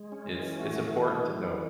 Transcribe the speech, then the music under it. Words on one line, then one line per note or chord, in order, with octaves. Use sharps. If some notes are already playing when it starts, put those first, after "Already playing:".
it's, it's important to know.
Already playing: G#3
C#4
E3
A3 F#4
E3
E3
E3